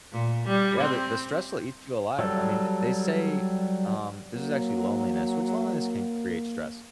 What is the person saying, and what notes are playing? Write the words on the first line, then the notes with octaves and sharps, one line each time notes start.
Yeah, the the stress will eat you alive. I mean, th they say, um, this is actually loneliness, which loneliness can create stress.
A#2
G3
C4
F#3 G3 A4
F#3 A#3